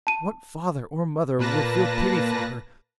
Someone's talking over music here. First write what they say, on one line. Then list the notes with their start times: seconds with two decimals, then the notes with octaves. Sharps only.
What father or mother will feel pity for her?
0.07 A5 D#7
1.39 A#2 A#3 B4 A5 A#6